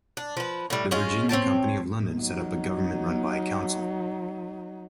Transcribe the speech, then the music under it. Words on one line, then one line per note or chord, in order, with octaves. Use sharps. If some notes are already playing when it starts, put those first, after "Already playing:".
The Virginia Company of London set up a government run by a council.
D4
F3 B4
A2 G3
G#3 C#4 F4
C4 C#5 G5 A5
F#3 D#4